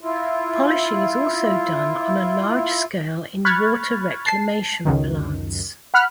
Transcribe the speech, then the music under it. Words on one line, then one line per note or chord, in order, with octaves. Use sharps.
Polishing is also done on a large scale in water reclamation plants.
E4 F4
B5 C#6 F6 F#6 G#6 A6
A5 C7
C#2 F#2 D#3
F#5 B5 F6 F#6